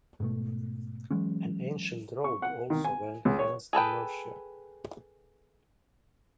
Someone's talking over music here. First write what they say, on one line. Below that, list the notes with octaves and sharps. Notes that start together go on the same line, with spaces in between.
An ancient road also ran hence to Nursia.
G#2 B2 A3
E3 F#3 G#3 C#4
C#6
F#5
D#3
G#5
C#2
C#5
G#4 A4 B4 G5